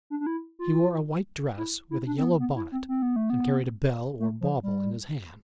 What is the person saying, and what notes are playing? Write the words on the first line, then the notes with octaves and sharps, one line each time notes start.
He wore a white dress with a yellow bonnet, and carried a bell or bawble in his hand.
D4
D4
E4
F4
E4
E4
D4
C4
B3
B3
E4
C4
C4
B3
A3
B3
A3
F3
G3